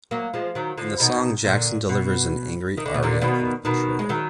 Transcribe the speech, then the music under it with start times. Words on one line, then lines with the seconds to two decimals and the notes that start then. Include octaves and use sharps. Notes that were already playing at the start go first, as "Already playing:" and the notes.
In the song, Jackson delivers an "angry aria" of betrayal.
0.11 F#3 A#3
0.34 F3 G#3
0.55 D#3 F#3
0.78 D3 F3
1.00 B2 D#3
1.44 A#2 D3
1.89 B2
2.77 D#3
2.86 D3
2.94 B2
3.03 A#2 D3
3.22 B2 D#3
3.65 B2 D#3
3.99 G#3
4.09 D#3 F#3